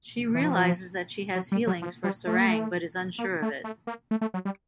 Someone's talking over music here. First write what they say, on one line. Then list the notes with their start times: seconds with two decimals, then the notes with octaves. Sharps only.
She realizes that she has feelings for Sarang but is unsure of it.
0.35 E3
0.45 F3
1.35 F#3
1.52 G3
1.67 F#3
1.82 F3
2.04 G3
2.27 A3
2.37 A#3
2.46 A3
3.18 A#3
3.42 A3
3.64 A3
3.87 A#3
4.11 A3
4.21 A3
4.34 F#3
4.45 G3